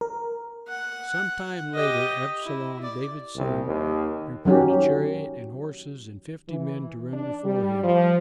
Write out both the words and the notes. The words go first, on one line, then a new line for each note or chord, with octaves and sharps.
Some time later Absalom, David's son, prepared a chariot and horses and fifty men to run before him.
A#4
F#5
G4 D#5
E4
D5
C2
D#2
D#3 F#3 C#4 G4
E3
D4
G3
F3